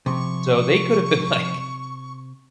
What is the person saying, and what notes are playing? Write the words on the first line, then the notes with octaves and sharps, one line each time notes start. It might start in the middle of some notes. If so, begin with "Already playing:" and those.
So they could have been, like,
C3 F3 C#6